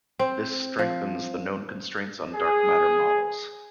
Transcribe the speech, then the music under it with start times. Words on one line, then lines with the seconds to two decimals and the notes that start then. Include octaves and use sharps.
This strengthens the known constraints on dark matter models.
0.19 C4
0.79 F3
2.33 G#4